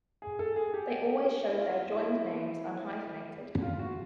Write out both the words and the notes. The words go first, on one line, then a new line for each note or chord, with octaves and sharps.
They always showed their joined names unhyphenated.
G#4
A4
G#4
G4
E4
F4
E4
F4
F#4